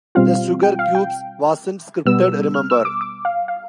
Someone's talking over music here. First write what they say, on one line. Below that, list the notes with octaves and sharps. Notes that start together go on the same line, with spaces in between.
The Sugarcubes wasn't scripted, remember.
B2 G3 C4 F4 F5
G5
F5
G5
B2 G3 B3 E6
F6
E6
D6
D6
F5
F5